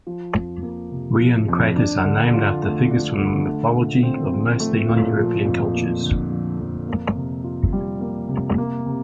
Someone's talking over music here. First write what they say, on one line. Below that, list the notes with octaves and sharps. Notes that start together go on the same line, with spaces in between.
Rhean craters are named after figures from the mythologies of mostly non-European cultures.
F3
F2
A#3
C3
F3
F2
D4
D3
F4
A3
D4
D3
A3
A#2
C4
F3
A3
A#2
F3
F2
A#3
D3
F3
F2
A#3
C3
F4
G3
A#3
C3
A#3
C3